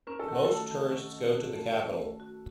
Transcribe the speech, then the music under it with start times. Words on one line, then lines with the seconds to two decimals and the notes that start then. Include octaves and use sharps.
Most tourists go to the capital.
0.07 C#4 A#4
0.19 A4
0.28 D#3 F#4
0.44 A3 A4
0.71 D#3
0.92 C#4
1.13 D#3
1.35 F#4
1.56 A3
1.78 C#4
1.99 A3
2.20 F#4